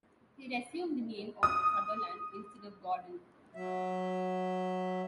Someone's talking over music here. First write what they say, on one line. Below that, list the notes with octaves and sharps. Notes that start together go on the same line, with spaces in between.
He resumed the name of Sutherland, instead of Gordon.
D#6
F#3 E5